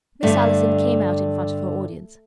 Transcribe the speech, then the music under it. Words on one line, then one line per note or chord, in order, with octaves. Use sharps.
Miss Allison came out in front of her audience.
G2 D3 A3